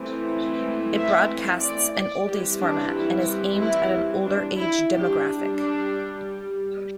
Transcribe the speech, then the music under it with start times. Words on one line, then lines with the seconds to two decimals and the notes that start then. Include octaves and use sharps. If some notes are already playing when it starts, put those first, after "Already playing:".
It broadcasts an oldies format, and is aimed at an older age demographic.
Already playing: E3 A3 C4
0.95 E5
1.61 D5
1.94 D5
2.28 E3 G3 C4 G4
2.61 D4
2.93 E4
3.60 E4
4.26 D4
4.58 E4
4.92 G3 D4 G4
5.57 D4